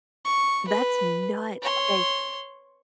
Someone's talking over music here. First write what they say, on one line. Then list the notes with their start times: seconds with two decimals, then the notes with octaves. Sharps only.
That's nuts, okay,
0.25 C#6
0.68 B4
1.62 C#5 C6